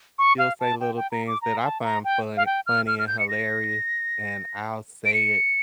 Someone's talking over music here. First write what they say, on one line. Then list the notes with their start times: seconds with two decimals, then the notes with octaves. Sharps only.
she'll say little things that I find funny funny and hilarious, and I'll say it
0.19 C#6
0.38 F5
0.60 A5
0.80 G5
0.96 G5
1.12 A#5
1.27 D6
1.42 A#5
1.64 A5
1.84 A#5
2.04 G5
2.37 F5
2.46 G5
2.66 F6
2.87 F6
2.99 F6
3.07 G6
3.19 C#7
3.29 A#6
5.05 D7
5.14 C#7